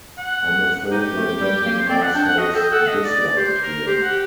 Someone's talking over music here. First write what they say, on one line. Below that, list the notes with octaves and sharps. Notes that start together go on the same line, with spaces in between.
I'm afraid we're getting ourselves disliked here.
F#5
D#4 G4
A3
G3
A#3
C5
C4 D5
F#5
D4 G5
F#5
F#4 D#5
A4 G5
A4 F#5
D#5
D5
D5
G4 C5
A#4
G4 C5
F#5
G4